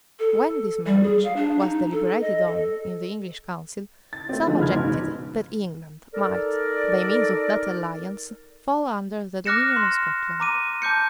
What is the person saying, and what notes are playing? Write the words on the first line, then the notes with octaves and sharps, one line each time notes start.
When this marriage was deliberated on in the English council, some objected, that England might, by means of that alliance, fall under the dominion of Scotland.
A4
G3
G#4
F5
D4
D#4
A4
D#5
A4
A6
A3 C4
D3 D#3 F3 G#3 A3 D#4
F1 B5 F6 G#6
C#2 G#2 B2
D#4 A4 A#4 D5
D6 F6 F#6 A#6 C#7 E7
C6
A#5 D6 D#7
A5 D6 G6 C#7